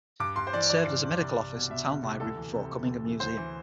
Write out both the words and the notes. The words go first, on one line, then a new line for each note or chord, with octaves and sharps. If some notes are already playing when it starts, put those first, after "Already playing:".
It served as a medical office and town library before becoming a museum.
G2 D6
G2 C6
C5
E3 D5
E3 D5
G2
G2
C2
C2
B2
B2 E5
C2
C2
D2 A4
E3
C3
D2
D2
E3
D2 C5
E3